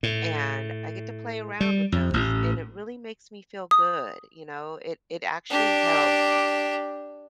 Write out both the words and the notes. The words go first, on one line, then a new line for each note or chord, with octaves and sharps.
And I get to play around with those, and it really makes me feel good, you know? It it actually helped.
A2
G3
F2
A1
D#6
D4 G4